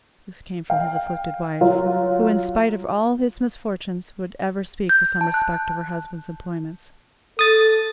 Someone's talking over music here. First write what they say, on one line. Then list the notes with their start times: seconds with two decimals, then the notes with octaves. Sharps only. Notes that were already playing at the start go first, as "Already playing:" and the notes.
This came from his afflicted wife, who, in spite of all his misfortunes, would ever speak with some respect of her husband's employments.
0.70 F5 G5
1.61 F#3 F4
4.89 G6
5.21 A5
5.34 F#6
7.39 A4 D#6 A6